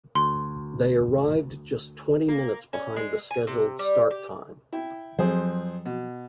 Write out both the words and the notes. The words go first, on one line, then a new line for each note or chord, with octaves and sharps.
They arrived just twenty minutes behind the scheduled start time.
D2 C6
A#3
C#4
G#3
G#5
C3
G3
G4
E4 E5 G5
F2 F3 F#3 G#4 C5
B2